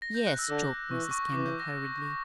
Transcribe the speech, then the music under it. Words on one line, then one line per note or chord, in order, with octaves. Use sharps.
"Yes," choked Mrs. Kendall, hurriedly.
A#6
G6
F#6
E6
D3 D6
E3 C#6
C#6
E3 D6
G6
A#6